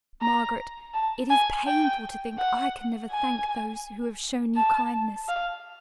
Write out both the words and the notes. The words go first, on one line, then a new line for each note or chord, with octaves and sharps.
'Margaret, it is painful to think I can never thank those who have shown you kindness.
A#5
A5
G#5
G5
F#5
G#5
A5
F5